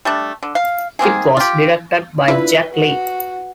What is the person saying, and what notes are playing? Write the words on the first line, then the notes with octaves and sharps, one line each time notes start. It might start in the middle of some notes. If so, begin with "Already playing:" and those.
It was directed by Jack Lee.
G3 A3 D4
D3
F5
D#3 A#3 C4 G#4
F4 G4
D4 E4 F4 B4
F#4